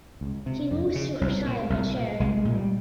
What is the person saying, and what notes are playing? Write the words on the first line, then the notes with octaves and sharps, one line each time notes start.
He moves to her chai by chair.
C#2
C3
F2
C#3
C2
A#2
C2
A#2
C2 G#3
G#3
A#2
G3